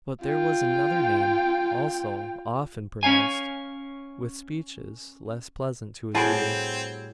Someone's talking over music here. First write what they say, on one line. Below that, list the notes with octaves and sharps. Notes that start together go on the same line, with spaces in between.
But there was another name also often pronounced--with speeches less pleasant to his ear.
F4 G5
C#4 C#5 F5 G#5
A2 G3 C4 F#4 G#4 A5 C6 D7